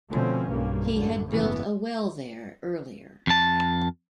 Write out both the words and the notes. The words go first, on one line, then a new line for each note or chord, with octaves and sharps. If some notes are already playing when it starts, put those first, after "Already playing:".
He had built a well there, earlier.
B2 D3 F3 A3 C4 C#4
B1 G2 C#3 G3 A#3
A1 F#2 D3
F#1 G#2 C#3 E3 B3
F2 A5